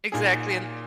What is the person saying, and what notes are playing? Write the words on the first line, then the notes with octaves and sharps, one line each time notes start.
Exactly, and
A#2 A#3 D#4 G#4